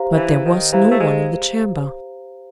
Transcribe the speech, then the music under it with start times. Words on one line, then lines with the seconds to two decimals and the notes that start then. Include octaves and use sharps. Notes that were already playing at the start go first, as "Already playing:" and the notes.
But there was no one in the chamber.
Already playing: G4 C5 F5 A#5
0.17 E3
0.45 D#3
0.72 E3 G4 C5 F5 A#5
0.91 A3
1.00 G#3